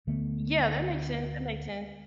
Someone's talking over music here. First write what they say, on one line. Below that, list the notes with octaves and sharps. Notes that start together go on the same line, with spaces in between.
Yeah, that makes sense, that makes sense.
D2 D3 A3 B3